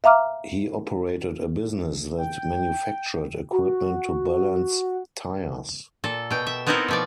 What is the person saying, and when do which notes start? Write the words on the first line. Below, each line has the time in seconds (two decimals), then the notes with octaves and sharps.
He operated a business that manufactured equipment to balance tires.
0.04 E5 F5 A#5 D6 F6
2.18 G5
3.52 F#4
6.04 A#2 A4
6.30 B2 G5
6.47 E5
6.66 B3 C4 D#4 E4 A4 A#4
6.88 B2 F3 D5